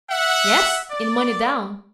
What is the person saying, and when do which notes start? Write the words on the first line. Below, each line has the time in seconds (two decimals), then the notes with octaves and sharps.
"Yes--in money down."
0.10 E5 F#5
0.91 D5